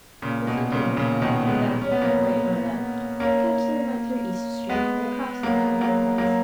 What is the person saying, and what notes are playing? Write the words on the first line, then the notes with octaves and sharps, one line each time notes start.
Reflecting on the matter, and without looking right or left, the Councillor went through East Street and across the Habro-Platz.
A#2 C#3
B2
A#2 C#3
A#2 C#3
B2 D#3
G#3 B3
C#4
B3
A#3 C#4
A#3 C#4
G#3 B3
F#3 A#3
F#3 A#3
F#3 A#3